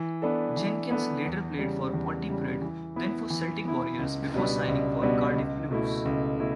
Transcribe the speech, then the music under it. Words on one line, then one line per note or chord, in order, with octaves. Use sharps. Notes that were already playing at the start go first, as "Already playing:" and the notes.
Jenkins later played for Pontypridd, then for Celtic Warriors before signing for Cardiff Blues.
Already playing: E3
B3 D4 A4
E3
B3 D4 A4
E2
C#3 G3
E2
C#3 G3
E3
B3 E4
E3
B3 E4
C#2
B2 G3 B3 D4
C#2
B2 G3 B3 D4
C#2
B2 A3 E4
C#2
B2 A3 E4